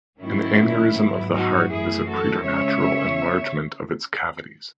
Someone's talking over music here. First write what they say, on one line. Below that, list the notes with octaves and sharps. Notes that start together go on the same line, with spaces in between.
An aneurysm of the heart is a preternatural enlargement of its cavities.
G#2 D#3 F#3 A3 C#4 E4
G#2 F#3 B3
D#4 F#4
F#2 E3 A3 E4 G#4
F#4 A4
C#3 G#3 C#4 C#5 E5